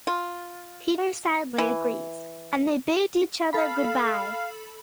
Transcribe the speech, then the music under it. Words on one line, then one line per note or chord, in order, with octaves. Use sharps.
Peter sadly agrees, and they bid each other goodbye.
F4
E3
A4 F5 B5